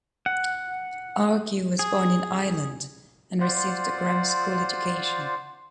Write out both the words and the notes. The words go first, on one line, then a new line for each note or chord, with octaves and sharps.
Argue was born in Ireland, and received a grammar school education.
F#5
G#4
F4 C5 D5 F#5